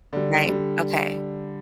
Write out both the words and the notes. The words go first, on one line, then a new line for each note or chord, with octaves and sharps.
Right, okay.
D3 G3
D3 G3